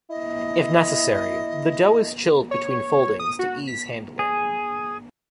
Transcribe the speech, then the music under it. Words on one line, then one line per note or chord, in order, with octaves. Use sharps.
If necessary, the dough is chilled between foldings to ease handling.
E4 D#5
C#5
D#6
F#4
B6
G#4